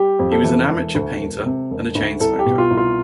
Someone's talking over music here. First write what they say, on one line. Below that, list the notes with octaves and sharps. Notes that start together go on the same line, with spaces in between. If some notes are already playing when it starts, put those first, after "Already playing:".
He was an amateur painter and a chain smoker.
Already playing: G3 G4
F2
A4
E3
E1
D2
E1
C3
E1
D2
C2 A4
G4
B2
F4
C2
F4